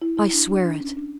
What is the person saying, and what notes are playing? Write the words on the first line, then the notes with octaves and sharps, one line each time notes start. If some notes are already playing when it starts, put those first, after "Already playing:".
"I swear it."
E4
E4
D4
D4
D4
C#4
D4